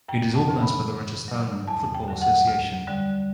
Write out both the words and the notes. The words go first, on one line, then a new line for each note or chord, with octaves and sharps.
It is organised by the Rajasthan Football Association.
F#2 G5
A5
C#3 E3
B5
A2
F#3
E2 A5
G5
D3 F#3
F#5
D2
D3 G3